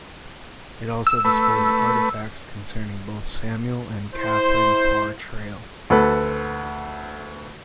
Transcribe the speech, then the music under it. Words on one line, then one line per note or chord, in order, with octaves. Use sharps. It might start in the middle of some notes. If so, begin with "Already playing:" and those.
It also displays artifacts concerning both Samuel and Catharine Parr Traill.
E6
A3 B4
E4 C5
D2 A4 B4